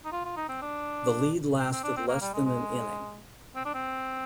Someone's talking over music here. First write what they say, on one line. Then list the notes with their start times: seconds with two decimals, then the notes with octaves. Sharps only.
The lead lasted less than an inning.
0.05 D#4
0.12 F4
0.25 F4
0.37 D#4
0.49 C4
0.62 D4
1.59 C4
1.73 C4
1.84 D4
1.97 C4
2.08 A#3
2.22 G3
2.33 G#3
2.45 G#3
3.56 C4
3.65 D4
3.74 C4